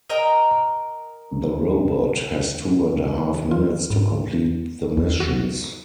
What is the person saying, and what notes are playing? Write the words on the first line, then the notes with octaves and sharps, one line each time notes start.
The robot has two and a half minutes to complete the missions.
A#4 D#5 G5 A#5
F4
G#2
E2
F#4